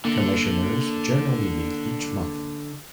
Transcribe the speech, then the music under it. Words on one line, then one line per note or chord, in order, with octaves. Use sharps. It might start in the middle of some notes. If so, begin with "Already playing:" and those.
Commissioners generally meet each month.
D3 A#3